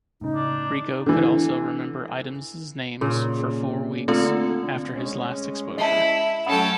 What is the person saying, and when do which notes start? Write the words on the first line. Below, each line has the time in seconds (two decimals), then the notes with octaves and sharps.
Rico could also remember items' names for four weeks after his last exposure.
0.21 A2 C#3 D#4
0.35 D4
1.06 D3 E3
3.01 A#2 C#3
4.08 D3 A3 C4 F4
4.95 G#3 C#4
5.77 E4 D#5 A5
6.46 F#3 A3 C#4 A4 F#5 G5 B5 D#6